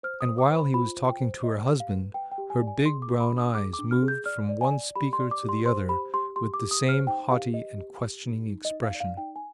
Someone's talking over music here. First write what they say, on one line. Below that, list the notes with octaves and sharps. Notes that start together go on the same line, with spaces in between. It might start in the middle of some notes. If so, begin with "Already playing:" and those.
And while he was talking to her husband, her big brown eyes moved from one speaker to the other with the same haughty and questioning expression.
C5 F6
D#6
C5
D6
C5
B5
F4 B5
C5
G5
C5
D5 D#5
G4
F5
B4
B4 G5
G5
G4
G#5
D5
G#5
G#4 C6
D6
F4
B5
D4
D#6
G#4 D6
D6
D4
F6
G#4
G6
D5 F6
D5
G#5
D5
G4 B5
C6
D5
D6
G4
C6
C5 C6
G4 B5
G4 C6
G4 C6
D6
G4
D#6
C5 F6
D#4 G5
G4 F5
B4 D#5
G4
G4
D#4
D#4
D#5
D#4
F5
D5
F5
D#4 G5
G#5